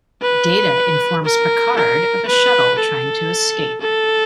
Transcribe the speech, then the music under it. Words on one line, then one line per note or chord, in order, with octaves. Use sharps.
Data informs Picard of a shuttle trying to escape.
B4
A#4
A#4
B4
A4
A4